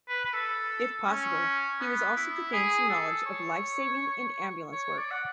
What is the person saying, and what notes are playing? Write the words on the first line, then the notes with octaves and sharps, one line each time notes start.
If possible, he was also to gain some knowledge of "life-saving and ambulance work".
B4
B4
A4
C#4
B3
E4
G#4
A4
C#5
C#5
D5
F#5